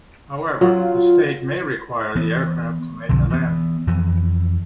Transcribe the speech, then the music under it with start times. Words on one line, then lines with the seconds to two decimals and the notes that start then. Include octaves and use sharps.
However, the state may require the aircraft to make a landing.
0.61 F#3 F4
2.16 E3 B3
3.09 B1 F2 D3
3.30 E3 B3
3.87 F2 E3